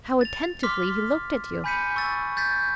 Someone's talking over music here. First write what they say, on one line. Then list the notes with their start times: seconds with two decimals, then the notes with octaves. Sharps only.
"How attentively he looked at you."
0.21 A6 F7
0.63 C6 D6 F6 B6
1.64 G#5 B5 G6 B6 C#7 D#7
1.96 C#6 E6 A6
2.37 G6 A6 B6